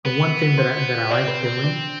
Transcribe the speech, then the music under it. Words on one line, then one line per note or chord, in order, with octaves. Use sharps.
the one thing that I that I like doing
B3 B4
C5
C4 D5
B4
B4
D4